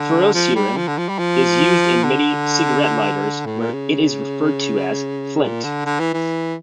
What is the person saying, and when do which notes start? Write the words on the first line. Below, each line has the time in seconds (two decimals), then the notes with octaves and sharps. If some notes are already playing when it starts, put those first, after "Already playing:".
Ferrocerium is used in many cigarette lighters, where it is referred to as "flint".
Already playing: D3
0.34 F3
0.55 G3
0.77 F3
0.87 D3
0.98 F3
1.09 G3
1.19 F3
2.04 D3
3.46 A2
3.60 A#2
3.74 C#3
5.43 A#2
5.64 D3
5.86 D3
5.99 E3
6.14 E3